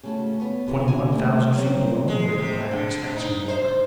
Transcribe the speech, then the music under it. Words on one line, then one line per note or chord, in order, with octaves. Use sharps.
Twenty-one thousand feet below me lay the black expanse of water.
C#3 A3 F#4
B3 C#5
F2 C3 E3 B3
D#2 C#3 F#4 G#5
G3 A3 A#3
F#3 G3 A#3 C4
G#3
C3
D3
C3
D#4
C5